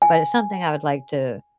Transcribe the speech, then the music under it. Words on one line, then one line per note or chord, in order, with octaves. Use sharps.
but it's something I would like to
G#5